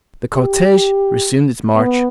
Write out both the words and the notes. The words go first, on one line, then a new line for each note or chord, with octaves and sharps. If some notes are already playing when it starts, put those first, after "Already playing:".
The cortege resumed its march.
G4
B3